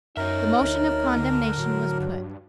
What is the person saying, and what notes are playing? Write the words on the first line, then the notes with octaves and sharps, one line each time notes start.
The motion of condemnation was put.
F#2 D#4 A#4 C#5 E5
D2
D3
A2 F#3
G2